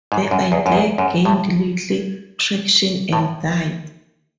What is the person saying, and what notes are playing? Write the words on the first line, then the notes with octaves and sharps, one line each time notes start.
The idea gained little traction and died.
G#2
F#2
E2
F#2
E2
F#2
A2
A2